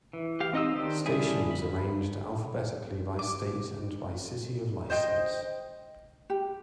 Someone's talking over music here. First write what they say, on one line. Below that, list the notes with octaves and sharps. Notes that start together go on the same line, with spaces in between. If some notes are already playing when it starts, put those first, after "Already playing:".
Stations arranged alphabetically by state and by city of license.
E3
G4 F5
C4 D#4 D#5 D#6 E6
D#3 D4 G4 C5
D3 G3 D4 E4 G#4
B5
D6
C5 D#5 G5 G6
G4